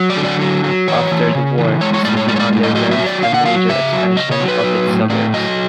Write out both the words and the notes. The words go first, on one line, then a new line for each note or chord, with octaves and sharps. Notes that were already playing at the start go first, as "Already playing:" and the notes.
After the war, the city underwent a major expansion of its suburbs.
Already playing: F#3
D5
D3
D5
F#3
F#3
E3 C#5
E3
C#3
E3
G#3 C#5
C#5
A2 D5
C#5
G#3 D5
C#5
D5
A2
D#5
F#3 D#5
E5
F#3
D5
D3 F5
F#5
F#3 F5
C#3 E5
F#3
C#3 D#5
C#5
F#3
B4
F#3
A2
A2 D5
F#3 D#5